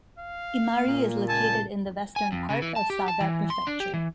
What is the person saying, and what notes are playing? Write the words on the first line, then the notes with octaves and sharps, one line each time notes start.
Imari is located in the western part of Saga Prefecture.
F5
A#3
A#2
C#2 G#5 A5
G#5
F2
C#3
E3
A5
G4
A5
E3
C6
D4
G4
E3